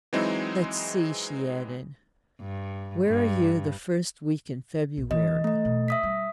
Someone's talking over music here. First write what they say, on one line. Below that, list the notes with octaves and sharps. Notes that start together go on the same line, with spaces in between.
"Let's see," she added, "where are you the first week in February?"
E3 F#3 G#3 C4 D#4 E4
G2
G2
A#1
E3 D#5
A3 D#5
B2
E5 D#6 B6
G3